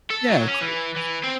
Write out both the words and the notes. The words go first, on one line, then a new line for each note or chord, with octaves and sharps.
Yeah, of course.
A4
F#3
C#4
E3
E3
C4 C5